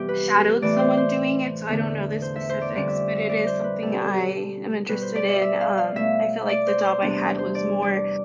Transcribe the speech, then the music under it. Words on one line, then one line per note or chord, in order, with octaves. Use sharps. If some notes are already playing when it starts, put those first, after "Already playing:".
shadowed someone doing it, so I don't know the specifics, but it is something I am interested in. Um, I feel like the job I had was more
Already playing: F2 C3 E3 G3 B3 G4
B4
A2 E3 A3 D5
C5
C5
E2 D3 A3
C5
E5
C5
D5
F2 D3 G3 D5
E5
E5
D5
C5
B4
B2 G3 A4
G4
A4
B2 G3 B4
C5
D5
E5
E5
F5
F5
B2 A3 E5
D5
C5
C5
E2 C3 G3 D4
C5
D5
D5